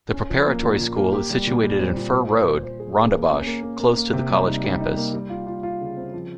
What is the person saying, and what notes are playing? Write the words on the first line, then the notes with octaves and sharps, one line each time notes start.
The Preparatory School is situated in Fir Road, Rondebosch close to the college campus.
C#4
F3
A#3
A#2
A#2
A#3
G4
G3
A#2
G3
C4
A#2
C5
C5
C5
C5
G#4
G#4
A#3
C#4
A#3
A#3
A#3
A#3
C3
G3
D#4
G3
D#4
A#3
G3
F4
F4
F4
C#3
C4
F3